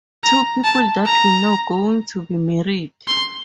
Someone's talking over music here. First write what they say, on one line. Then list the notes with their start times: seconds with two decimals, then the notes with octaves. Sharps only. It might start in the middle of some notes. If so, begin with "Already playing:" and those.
Two people that we know going to be married.
0.24 A#5
0.64 A5
1.06 A#5
3.08 C6